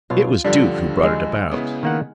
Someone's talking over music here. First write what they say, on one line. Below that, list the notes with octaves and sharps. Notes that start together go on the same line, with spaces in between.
It was Duke who brought it about.
B2 F#3 F4
G2 D3 F3 G3 D4
G#3
C#3 B3 E4
D#3 A#3 F#5